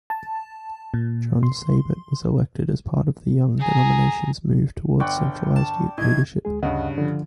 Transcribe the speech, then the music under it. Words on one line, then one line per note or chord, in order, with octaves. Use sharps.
John Seybert was elected as part of the young denomination's move towards centralized leadership.
A5
A#2
C6
G#4 A#5
G1 D5 F#5 G5 C#6
A5
A2 D#3 D#5 G#6
D2 G#3 G#4
D2 G2 C#3 D#5 F#5
D3 F3